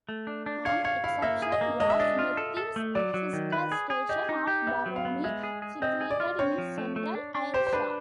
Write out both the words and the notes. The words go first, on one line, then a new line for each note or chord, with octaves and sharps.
An exception was Methil's sister station of Barony, situated in central Ayrshire.
A3
D4
D4
C#5 F5
C#5 F5
E4 F5
A#3 E5
G#4
D#5
A#3
G#3 D#5
E5
D4 D#5
F4
A4
A4
A3
F#3 D5
F#3
D#3
B4
G#4
G#4
G4 D#5
D#4
G4
B3 E5
F#3
F5
B3
G#3 E5
G#4
G#4
C4 D#5
G#4
D5
F4
C4 C#5
F3
A3
A3
D4
D4
G4 C5
C5
D4 B4